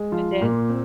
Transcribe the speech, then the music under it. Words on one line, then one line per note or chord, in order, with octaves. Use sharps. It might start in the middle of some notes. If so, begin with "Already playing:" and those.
it did
Already playing: G#3
F3 F4
A#2 A#3
C4